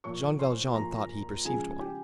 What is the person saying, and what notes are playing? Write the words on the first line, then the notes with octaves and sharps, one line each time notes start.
Jean Valjean thought he perceived one.
A#2 F3 A#3 C#5 C#6
C5 C6
A#2 F3 A#3 A#4 A#5
C#3 F3 G#3 G#4 G#5
G4 G5